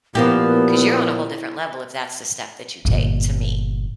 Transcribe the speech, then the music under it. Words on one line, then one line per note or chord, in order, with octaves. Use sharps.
'cause you're on a whole different level if that's the step that you take, to me.
A#2 F3 A#3 B3 E4 G4
G1 A#2